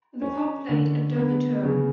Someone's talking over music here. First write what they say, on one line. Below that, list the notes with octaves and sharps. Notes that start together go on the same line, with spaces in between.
The club played at Derby Turn.
C#4
D3
B3
C#3